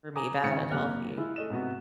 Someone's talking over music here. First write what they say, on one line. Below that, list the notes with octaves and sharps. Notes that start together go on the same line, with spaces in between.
for me bad, unhealthy.
G#5 A#5 D6 D#6
G#2 D#3 C4 C#7
F#1 C3 A#3 G4 F6 F#6
G#3 E4 F4
A3 D#5 E7
G#2 C3 B3 F#4